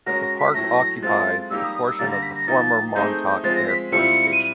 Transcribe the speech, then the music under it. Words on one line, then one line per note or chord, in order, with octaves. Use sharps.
The park occupies a portion of the former Montauk Air Force Station.
G#3 C#4 F#4 A#4 A#6
A#6
B6
A2 F#3 A3 A#6
G#3 C4 F4 A4 A6
G3 A#3 D#4 G4 E6
D#6
D#6
E6
D3 G3 A#3 A6
A#6
B6
A#6
F3 A#3 D#4 A6
A3 C4 D#4 G#4 G6
F3 G#3 C4 A6
A#6
B6
A#2 G3 C4 E4 C#7
D#7